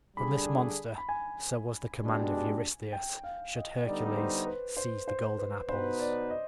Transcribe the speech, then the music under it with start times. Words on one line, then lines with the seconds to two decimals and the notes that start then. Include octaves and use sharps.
From this monster, so was the command of Eurystheus, should Hercules seize the golden apples.
0.17 D3 G3 D4 G#4 B5
0.98 B5
1.09 G#5
2.02 B2 G#3 D4 G4
2.93 G5
3.24 F5
3.55 D#5
3.86 D3 G3 B3 D#4 D5
4.17 C5
4.47 B4
4.77 C5
5.08 C5
5.38 B4
5.69 B2 B3 D#4 B4 C5
6.00 D5
6.30 D#5